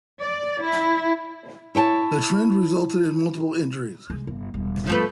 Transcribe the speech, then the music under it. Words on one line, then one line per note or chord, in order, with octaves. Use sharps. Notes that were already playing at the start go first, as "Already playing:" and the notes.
The trend resulted in multiple injuries.
D5
E4
E4 C#5 G5 A5
C3 G#3
G1
E1 G3
F3 A3 B3 F4 B4